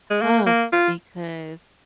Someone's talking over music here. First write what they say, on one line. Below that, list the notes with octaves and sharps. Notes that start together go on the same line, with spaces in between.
tough because
G#3
A#3
A#3
F4